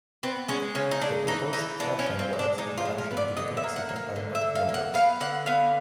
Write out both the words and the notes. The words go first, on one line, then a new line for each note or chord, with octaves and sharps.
The proposed Thracian words in the Ancient Greek lexicon are not numerous.
B3 C4
G#3 C#4
C#3 C#4
D#4
G#3 D4
E3 D#4
E3 D#4
B3 D4
C#4
F3
C4
G#3
D4
G#3 D#4
F4
F3
A#4
B3
D5
D3 D#5
E5
A#3
F#5
A#3
F5
D3
E5
D3
F5
A#3
F#5
B3 F5
D3 F#5
B3 F5